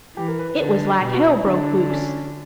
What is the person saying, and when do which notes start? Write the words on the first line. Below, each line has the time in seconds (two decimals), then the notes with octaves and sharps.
It was like hell broke loose.
0.17 E3 G4
0.28 A#4
0.39 B4
0.49 B4
0.60 D3
1.03 B2 G4
1.14 F#4
1.24 E4
1.36 E4
1.47 D3 D4
1.90 C#4